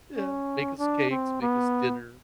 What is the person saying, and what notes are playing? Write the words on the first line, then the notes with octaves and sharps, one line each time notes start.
Yeah, make us cakes, make us dinner,
C#4
D4
C4
B3